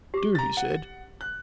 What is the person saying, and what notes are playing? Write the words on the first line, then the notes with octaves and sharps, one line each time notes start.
"Do!" he said.
G4 D6
A#5 A6
F#5
F#6